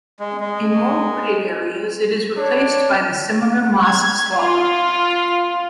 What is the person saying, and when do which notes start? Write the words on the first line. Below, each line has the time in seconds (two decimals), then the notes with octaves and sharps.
In more wooded areas it is replaced by the similar mosque swallow.
0.20 G#3
0.40 G#3
2.37 D4 C#5
3.85 G#6
4.36 F4